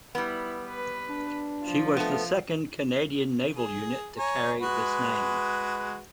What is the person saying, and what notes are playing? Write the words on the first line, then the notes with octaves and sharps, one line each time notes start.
She was the second Canadian naval unit to carry this name.
G3 B3 E4
B4
D4
F3
A3 B3
G#4
C#5 G#5 A#5
G#3 F#4 B4